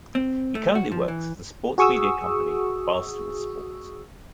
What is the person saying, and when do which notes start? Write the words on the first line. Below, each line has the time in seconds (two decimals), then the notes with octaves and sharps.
He currently works for the sports media company Barstool Sports.
0.15 C4
0.55 A3
0.75 F#4
0.92 F3
1.08 E3
1.78 F#4 G#4 C#6 D#6 E6